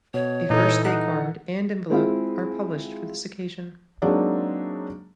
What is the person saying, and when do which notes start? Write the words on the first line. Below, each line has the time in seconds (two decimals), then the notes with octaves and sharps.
A First Day card and envelope are published for this occasion.
0.14 B2 C#5
0.50 A#2 E3 D#4 A4
0.84 D#4 F#5 F#6
1.90 G#3 C4 E4 F4
4.02 F#3 G#3 A#3 C4 D4 D#4